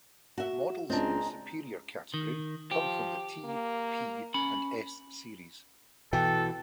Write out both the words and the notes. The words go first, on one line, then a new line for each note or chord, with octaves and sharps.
Models in the superior category come from the T, P and S-series.
F#4 E5
C#2 G#3 C4 D4 A#5
D#3
F3 G4
A#3
C#4 B5
B2 E3 A4 G5